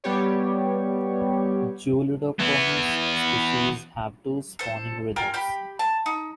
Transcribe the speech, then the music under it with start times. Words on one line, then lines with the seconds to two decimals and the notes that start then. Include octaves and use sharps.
"Julidochromis" species have two spawning rhythms.
0.04 G3 B3 G4 C#5
2.39 E3 B3
4.59 A4 C5
5.16 F4 A#4 G5 G#5
5.34 G4 G5 B5
5.79 A5
6.06 D#4